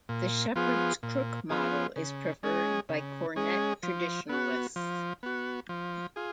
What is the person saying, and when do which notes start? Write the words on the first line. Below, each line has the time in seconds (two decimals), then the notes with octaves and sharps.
The Shepherd's Crook model is preferred by cornet traditionalists.
0.09 A#2
0.56 F3 B3 F4 G#4
1.03 A#2
1.49 F3 B3 F4 G#4
1.96 C#3
2.43 G#3 C#4 G#4
2.89 C#3
3.36 G#3 C#4 G#4
3.83 F3
4.29 B3 F#4
4.76 F3
5.23 B3 F#4
5.69 F3
6.16 F4 G#4